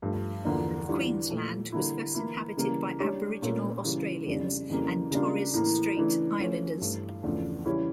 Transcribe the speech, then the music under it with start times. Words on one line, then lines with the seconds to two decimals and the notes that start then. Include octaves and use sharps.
Queensland was first inhabited by Aboriginal Australians and Torres Strait Islanders.
0.02 G2 F3 A3
0.45 E2 D3 F3 A#3 D4
0.87 E3 G3 D4 F4
1.30 A#2 F3 A3
1.72 D3 G3 A#3 E4
2.15 E3 A#3 E4
2.57 C#3 E3 G3 A#3
3.00 G3 D4 G4 C#5
3.42 A#2 A3 C#4 F4 A#4
3.84 C#3 E3 G3
4.26 F2 C#3 G3 D4
4.69 F2 C#3 E3 G3 A#3
5.11 C#3 G3 A#3 D4 F4
5.54 A2 E3 A#3
5.97 C#3 E3 A3 D4
6.39 F3 A3 C#4
6.81 G2 E3 A3
7.23 E2 C#3 F3 A3 D4
7.66 C#3 E3 G3 C#4 E4